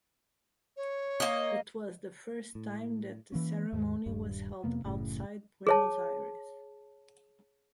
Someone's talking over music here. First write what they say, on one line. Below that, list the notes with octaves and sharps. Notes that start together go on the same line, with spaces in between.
It was the first time that the ceremony was held outside Buenos Aires.
C#5
A#3 D#5
A2
E3 A#3 C#4
D#2 G#2
D#1 G2 G3
F2 C3 A#3 B3
F#1 A2 C#3
G#4 C#5 A5